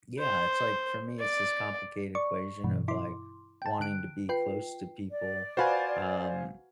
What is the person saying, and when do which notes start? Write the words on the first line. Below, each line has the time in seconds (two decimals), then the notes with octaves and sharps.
Yeah, it's like, for me, it's this complicated equation of, like, wanting to be close to people, um,
0.19 C5
1.19 D5
2.15 D5 C#6
2.64 G2 B2 E3
2.88 E4 C6 D6
3.62 G5 A5
3.80 D3 F#6 D7
4.29 F4 B4 G5 C7
5.10 D5
5.57 F#4 B4 C5 F5 G#5